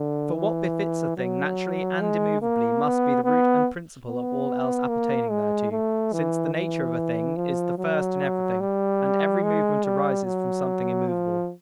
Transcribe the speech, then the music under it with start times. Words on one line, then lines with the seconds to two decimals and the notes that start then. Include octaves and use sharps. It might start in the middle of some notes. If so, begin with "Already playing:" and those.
For what befits a thing naturally and immovably must be the root and principle of all else appertaining thereto, since the nature of a thing is the first in everything, and every movement arises from something immovable.
Already playing: D3
0.35 E3
1.17 F#3
2.01 G#3
2.42 A#3
2.83 B3
3.24 B3
4.07 B3
4.89 A#3
5.30 G#3
5.72 A3
6.13 E3
6.54 E3
7.36 F3
7.79 F#3
8.60 G3
9.43 G#3
9.84 G3
10.25 F#3
11.08 F3